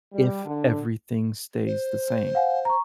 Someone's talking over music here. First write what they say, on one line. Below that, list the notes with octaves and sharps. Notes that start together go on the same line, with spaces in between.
if everything stays the same.
G3
D3
C5
F5 F#5 G#5
A#5 C#6